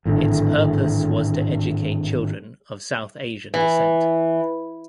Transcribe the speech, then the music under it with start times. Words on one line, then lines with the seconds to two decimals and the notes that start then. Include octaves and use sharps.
Its purpose was to educate children of South Asian descent.
0.05 G#1 A2 D3
3.54 E3